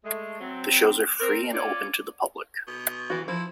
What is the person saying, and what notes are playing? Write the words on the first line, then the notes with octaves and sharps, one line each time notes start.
The shows are free and open to the public.
G#3 A3
F#3 C4
C4 A#4
C#4 F4 D5
B2
E3 F#4
F3 E4